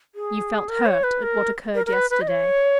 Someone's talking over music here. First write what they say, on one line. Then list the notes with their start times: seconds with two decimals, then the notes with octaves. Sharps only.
You felt hurt at what occurred yesterday!
0.15 G#4
0.69 A#4
0.86 C#5
1.03 B4
1.22 A#4
1.75 A#4
1.86 A#4
1.93 B4
2.10 B4
2.21 D#5
2.28 C#5